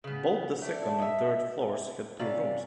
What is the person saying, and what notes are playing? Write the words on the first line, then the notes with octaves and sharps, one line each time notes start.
Both the second and third floors had two rooms.
C#3 B3
A3 D4
D#5 E5
C3 C#4 D5 F5